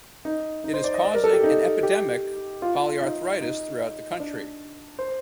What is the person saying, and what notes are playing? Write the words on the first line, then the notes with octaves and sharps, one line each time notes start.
It is causing an epidemic polyarthritis throughout the country.
D#4
D#4
C5
D5
D#5
D5
A#4
A4
G4
D#4
G4
F4
F4
D#4
D#4
D4
C5